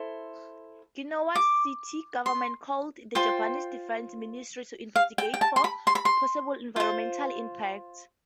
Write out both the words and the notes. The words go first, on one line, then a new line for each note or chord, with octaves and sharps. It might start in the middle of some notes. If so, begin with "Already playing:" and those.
Ginowan city government called the Japanese defense ministry to investigate for "possible environmental impacts".
Already playing: E4 A4 C5
D6
C6
F4 C5 G5
F5
G5
G5
A5
C6
B5
C6
B5
C6
F4 C5